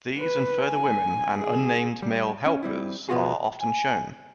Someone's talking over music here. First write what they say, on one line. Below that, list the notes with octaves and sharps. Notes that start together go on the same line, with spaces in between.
These and further women and unnamed male helpers are often shown.
B4
G#5
G#4
G3
C#4
G3 C4 E4
B2 F3 B3 F4 F#4 G#4
G#5